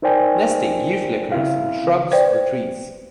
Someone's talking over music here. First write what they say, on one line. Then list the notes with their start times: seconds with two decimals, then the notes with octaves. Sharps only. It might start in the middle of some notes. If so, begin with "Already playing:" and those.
Nesting usually occurs in shrubs or trees.
0.02 D#4 A#4 C5 D5 G5 G#5
1.32 C#3 C4 E4 F5
2.12 B4 C5 D5 G5